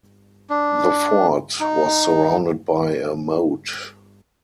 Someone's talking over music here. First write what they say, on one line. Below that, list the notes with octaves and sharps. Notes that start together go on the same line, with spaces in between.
The fort was surrounded by a moat.
D4
D#4